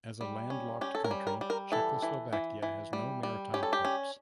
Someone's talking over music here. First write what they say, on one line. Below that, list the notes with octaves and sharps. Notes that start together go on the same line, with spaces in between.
As a landlocked country, Czechoslovakia has no maritime ports.
G3
C#4
C#4 G4
A4
A#4
G3
A#4
G3
A#4
E3 A4
E3
E3
E3
G3
G3
C#4 G4
A4
G4
C#4